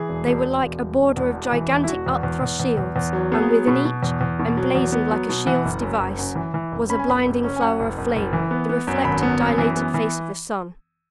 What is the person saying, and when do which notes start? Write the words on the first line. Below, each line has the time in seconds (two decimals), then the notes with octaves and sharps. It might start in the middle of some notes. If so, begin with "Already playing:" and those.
They were like a border of gigantic, upthrust shields; and within each, emblazoned like a shield's device, was a blinding flower of flame--the reflected, dilated face of the sun.
Already playing: E3 G#4
0.09 E1
0.27 E1
0.45 E1
0.63 E1
0.81 E1
0.99 E1
1.17 E2
1.34 E1
1.52 E3
1.71 E1
1.83 E4
1.88 E1 F#4
2.06 E2
2.23 E2
2.42 E2
2.60 E2
2.78 E2
2.96 E2
3.13 F#3
3.32 B3 G#4
3.49 F#3
3.67 B2
3.85 B2
4.03 E2
4.21 E2
4.39 B2
4.57 F#3
4.75 E2
4.92 B3
5.11 F#3
5.29 B2
5.47 E3 F#5
5.65 F#1
5.82 F#2
6.00 F#1
6.19 F#2
6.36 E3
6.54 E3
6.72 F#1
6.89 C#4 B5
6.99 G#5
7.07 F#1 B5
7.26 F#1
7.44 C#4
7.56 G#5
7.61 F#2 F#5
7.80 F#1
7.98 F#1
8.16 F#1
8.33 E3
8.51 B3
8.69 B3
8.87 F#2
9.05 G#1 B5
9.23 B3
9.40 F#2
9.58 E3
9.77 B3
9.94 E3